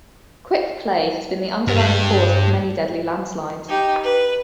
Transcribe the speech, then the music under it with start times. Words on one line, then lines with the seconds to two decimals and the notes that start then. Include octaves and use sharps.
Quick clay has been the underlying cause of many deadly landslides.
1.68 G2
3.69 D#4 G4
4.03 B4